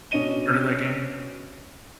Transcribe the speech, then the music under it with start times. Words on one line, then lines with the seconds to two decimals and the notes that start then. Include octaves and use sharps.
heard of that game?
0.11 B2 C#4 D4 D#5 D#7 G7